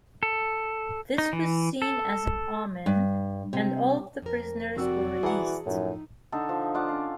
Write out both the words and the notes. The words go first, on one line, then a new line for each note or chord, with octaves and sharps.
This was seen as an omen and all the prisoners were released.
A4
D#4
E3
A4
G2
C3
F2 A#4
F1 C4 F#4 D5 E6
E3 G#4 F#5 A5 A#5
F#2 A2 F3 D#4
D3 D4 D#4 A4
F3
F4 D5 F#5
C#4 F5